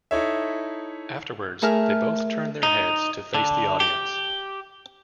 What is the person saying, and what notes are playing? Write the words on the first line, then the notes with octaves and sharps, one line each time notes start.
Afterwards, they both turn their heads to face the audience.
D#4 E4 A4 C#5 E5
A3 G#4 A#4 E5 G#5 F6
D#4
D3
G4